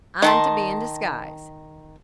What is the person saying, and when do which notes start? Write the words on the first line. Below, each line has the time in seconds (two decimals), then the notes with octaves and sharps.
I'm to be in disguise.
0.22 D#3 D#5 A5 C6